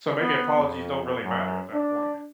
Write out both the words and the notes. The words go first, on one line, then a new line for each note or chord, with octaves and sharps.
so maybe apologies don't really matter at that point.
B3
F2
F#2
D4